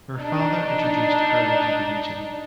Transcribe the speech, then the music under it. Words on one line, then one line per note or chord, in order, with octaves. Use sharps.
Her father introduced curling to the region.
D4 D#4